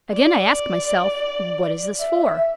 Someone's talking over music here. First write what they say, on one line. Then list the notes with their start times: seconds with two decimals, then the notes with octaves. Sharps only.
Again I ask myself, What is this for?
0.14 D5
2.00 E5